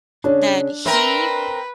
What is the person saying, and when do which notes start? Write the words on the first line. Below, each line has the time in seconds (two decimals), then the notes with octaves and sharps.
that he,
0.24 C#3 C#4 D4
0.86 C4 A#4 B4 E5